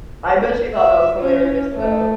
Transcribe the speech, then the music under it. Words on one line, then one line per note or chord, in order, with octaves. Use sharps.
I bet she thought that was hilarious though.
E5
C#4
A3